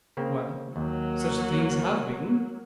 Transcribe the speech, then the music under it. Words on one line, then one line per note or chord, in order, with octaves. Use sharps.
"Well, such things have been."
C#3 A#3 C4
D#2 F#3 A#3